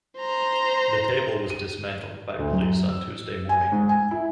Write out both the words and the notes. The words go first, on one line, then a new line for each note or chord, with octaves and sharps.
The table was dismantled by police on Tuesday morning.
C5 A#5
D#7
D2
F#2
E6
G#5
G#2
G#5
E4